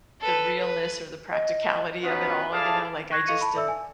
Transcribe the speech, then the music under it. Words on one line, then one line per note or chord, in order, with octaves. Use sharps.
the realness or the practicality of it all, you know, like, I just didn't
A4 B4
B4
D#5
B3 C#4 D#4 F4 F#4 B4
E4 G#4 A4 D5 F5 A5
C#6 F#6 G#6 A#6
A4 D#5 F5 C#6 C#7 D#7
A5 B5
A4 D5 E5 E6
G#5